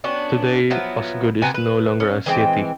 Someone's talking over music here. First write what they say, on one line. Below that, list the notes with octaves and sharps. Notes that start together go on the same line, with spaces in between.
Today, Osgood is no longer a city.
B3 C#4 D4 F#4
F3 F#3 B3 E4
C3 B3 F#4 G#5
B4
C#4
E3 G#3 C4 G5